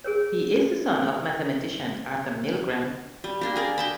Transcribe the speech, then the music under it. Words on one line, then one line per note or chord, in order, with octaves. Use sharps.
He is the son of mathematician Arthur Milgram.
G#4 A#4 C#5
G3
A#3 D4 G4
G#4 A#4 D5
G5 A5 B5